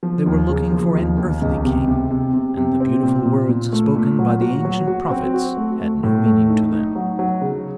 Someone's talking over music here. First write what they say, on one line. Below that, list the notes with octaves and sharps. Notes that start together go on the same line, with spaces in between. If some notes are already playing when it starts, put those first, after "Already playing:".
They were looking for an earthly king, and the beautiful words spoken by the ancient prophets had no meaning to them.
F3
D#2
C#3
F3
D#2
D#2
C#2
C3
C3
C3
C3
C3
C4
A#2
A#2
A#2
A3
A#2
F#3
F#4
F#3
F#4
C4
F#4
A3
A3
A2
A3
D#4
D#4
F#3
F#3
C#3